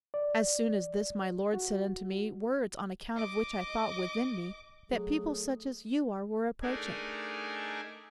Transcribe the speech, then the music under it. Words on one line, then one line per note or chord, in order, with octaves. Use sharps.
As soon as this my Lord said unto me Words, on account of which I thought within me That people such as you are were approaching.
D5
F#4
D#5 D6
F#3 A3 G#4
A3 D4 D#4 G#4 A#4 G#5